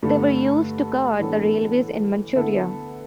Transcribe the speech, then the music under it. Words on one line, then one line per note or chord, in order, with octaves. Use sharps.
They were used to guard the railways in Manchuria.
G2 D3 A3 D4 A4
A2 E3 B3 D4 A4
D3 B3 E4 A4